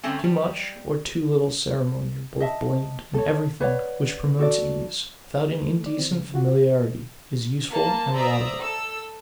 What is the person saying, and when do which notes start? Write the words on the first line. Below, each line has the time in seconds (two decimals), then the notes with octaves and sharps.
Too much or too little ceremony are both blamed, and everything, which promotes ease, without an indecent familiarity, is useful and laudable.
0.03 D3 G3 A3 C4 C#4
0.24 G3
2.40 D#5 E5 A5
3.14 A4 C#5
3.61 B4 C#5 D5 F#5
4.39 F#4 A4 D5
5.72 E3 A3
5.86 D5
5.99 E3 C4
6.11 C#3
6.34 F4 F#4 F#5
7.72 A#3 A5
8.14 C5 D5 E5 A#5 D#6 E6
8.61 A4 E6